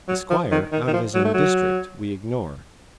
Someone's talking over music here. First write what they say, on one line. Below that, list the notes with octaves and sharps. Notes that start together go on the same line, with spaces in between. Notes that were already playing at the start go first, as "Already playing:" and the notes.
The Squire, out of his own district, we ignore.
F#3
F3
D#3
D#3
D#3
F3
F#3
A3
F#3